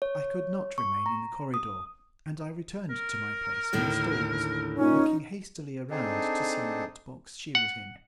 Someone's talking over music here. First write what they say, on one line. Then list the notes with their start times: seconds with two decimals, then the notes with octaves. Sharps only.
I could not remain in the corridor, and I returned to my place in the stalls, looking hastily around to see what box she was in.
0.02 C#5
0.78 C#6
1.06 A#5
1.54 D#6
2.90 A#4
3.73 D#2 A2 D3
4.78 A#2 C#4 D#4
5.91 C4 D4 D#4 G#4 A4
7.55 F#5